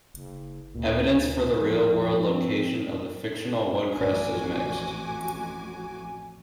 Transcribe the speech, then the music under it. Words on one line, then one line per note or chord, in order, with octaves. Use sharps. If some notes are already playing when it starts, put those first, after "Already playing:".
Evidence for the real-world location of the fictional Woodcrest is mixed.
F#1
D2 A#2
E2 F3
C4
A1 F2 A2 F#4 G#5 D6